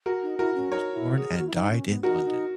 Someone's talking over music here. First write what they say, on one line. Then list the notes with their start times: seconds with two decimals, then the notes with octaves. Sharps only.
He was born and died in London.
0.06 F#4 A#4
0.23 D#4
0.38 E4 F#4 A#4
0.55 C#4
0.72 D#4 A#4 C#5
0.93 E4
1.16 G#4
1.38 F#4
1.47 E4
1.54 D#4
1.71 C#4
1.88 B3
2.03 D#4 F#4 A#4
2.25 D#4